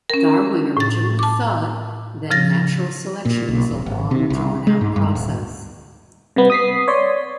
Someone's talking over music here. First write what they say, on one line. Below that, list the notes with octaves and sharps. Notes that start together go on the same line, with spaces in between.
Darwin originally thought that natural selection was a long, drawn out process.
C#4 A#4
A2 A6
A5 D6
C#3 F3 A6 A#6
A#2
B1
D1
G#1
C3
C2
G#3
G#2
G2
D1
C3 G3 B3
D#6 B6 C7
C#5 D5 C6